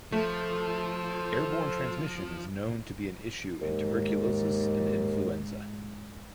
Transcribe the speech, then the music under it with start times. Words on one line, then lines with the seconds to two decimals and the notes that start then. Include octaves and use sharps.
Airborne transmission is known to be an issue in tuberculosis and influenza.
0.12 F3 A3 A4 C5
3.61 D#2 G#2